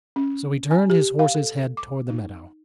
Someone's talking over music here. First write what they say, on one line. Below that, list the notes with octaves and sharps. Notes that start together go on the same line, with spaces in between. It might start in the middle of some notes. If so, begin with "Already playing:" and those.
So he turned his horse's head toward the meadow.
C#4
G#5
G4
F5
A4
D6
D#4